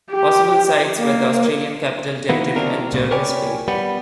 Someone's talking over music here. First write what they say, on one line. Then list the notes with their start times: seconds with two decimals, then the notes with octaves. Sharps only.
Possible sites were the Australian Capital Territory and Jervis Bay.
0.11 G4
0.98 A#3
2.29 D#3 E3 A#3 B3
2.56 C#3 E3 C4 D4 A#4
2.93 C2 A#2 C#3
3.11 A#4 B4 C#5 D5 G5 G#5
3.68 G3 B3